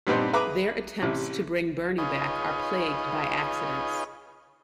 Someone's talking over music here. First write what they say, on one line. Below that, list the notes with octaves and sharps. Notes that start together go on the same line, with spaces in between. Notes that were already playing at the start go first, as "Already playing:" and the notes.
Their attempts to bring Bernie back are plagued by accidents.
G2 A#2 G3 B3 C4 D#4
G#4 B4 E5 A#5 B5 D6
A1 C3 E4
D#4 F4 G#4 B4 C#5 D#5